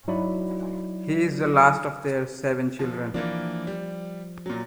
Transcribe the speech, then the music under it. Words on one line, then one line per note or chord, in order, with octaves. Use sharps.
He is the last of their seven children.
F#3 D#4 E4 F#4 D5 B5
F3
E3 F3 A#3 D4
G3
A#2 F#3